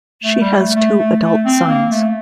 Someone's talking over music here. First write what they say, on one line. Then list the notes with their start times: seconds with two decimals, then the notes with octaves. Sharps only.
She has two adult sons.
0.24 A3
0.41 G3
0.59 A3
0.76 A3
0.99 A3
1.21 A3
1.45 C4
1.68 A#3
1.90 A3